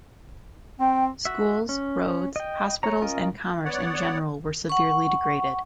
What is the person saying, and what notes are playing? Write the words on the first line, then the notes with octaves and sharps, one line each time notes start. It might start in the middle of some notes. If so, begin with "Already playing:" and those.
Schools, roads, hospitals and commerce in general was severely degraded.
C4 G5
F#4 E5
C#4
D#5 G5
C#5 A#5
C#4 F4 A#4 D#5
B3 C#5 D5 F#5
F#5 C#6